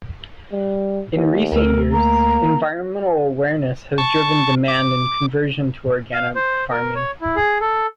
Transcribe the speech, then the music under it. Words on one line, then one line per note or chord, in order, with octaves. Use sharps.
In recent years, environmental awareness has driven demand and conversion to organic farming.
G3
D#2
D2 A3 A#4
A#3 A#5
A5 C#6
D6
F5
C5
A#4
C#5
E4
G#4
A4